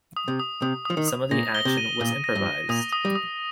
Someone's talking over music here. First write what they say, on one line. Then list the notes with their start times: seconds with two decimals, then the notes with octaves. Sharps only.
Some of the action was improvised.
0.17 D#6
0.28 C3
0.40 D#6
0.62 C3 D#6
0.85 F3 D#6
0.97 D#3
1.08 D#6
1.31 A#2 A#6
1.54 G7
1.65 C3
1.78 D#7
2.00 A#2 G7
2.24 A#6
2.35 G2
2.46 D#7
2.69 A#2 D#6
2.93 D#6
3.05 G3
3.15 D#6